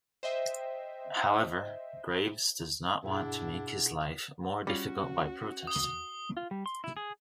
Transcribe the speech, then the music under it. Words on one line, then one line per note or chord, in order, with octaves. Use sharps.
However, Graves does not want to make his life more difficult by protesting.
C5 D#5 E5 G5
G2 B2 D4 E4 G#4 F#5
G3 C#4 F4 F#4
D#6 G7
F4
G3
C6
E4
G#4